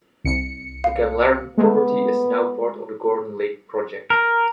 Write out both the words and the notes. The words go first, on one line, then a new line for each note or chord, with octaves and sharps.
The Camlaren property is now part of the Gordon Lake Project.
C2 C#7
F5
G#3 A3 B3
A#4